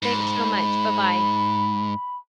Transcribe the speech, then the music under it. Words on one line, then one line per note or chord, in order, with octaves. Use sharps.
Thanks so much. Bye bye.
G#2 B5